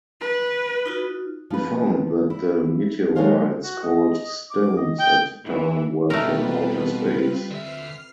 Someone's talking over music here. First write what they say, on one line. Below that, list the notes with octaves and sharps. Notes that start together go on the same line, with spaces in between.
He found that the meteorites, called "stones" at the time, were from outer space.
B4
D#4 F4 F#4
F3 B4
E4
F#3 G#3 A3 D4 C5 F5
F#4
D#5
D6
D#5
G5
E3
B2 G3 A3 C4 D#4 F4 A#4 B4
D3 E5 F6 C7